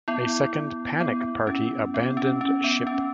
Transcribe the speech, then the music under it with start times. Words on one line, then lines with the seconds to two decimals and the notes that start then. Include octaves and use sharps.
A second "panic party" abandoned ship.
0.08 B3 E4
1.00 B3
1.47 C#4
1.94 B3
2.17 C#4
2.41 C#4
2.64 B3
2.87 C#4